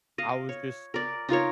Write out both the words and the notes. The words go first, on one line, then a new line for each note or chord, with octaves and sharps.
I was just
D#5 F5
C#5
A#4 D5
D#4 F4 A#4 C#5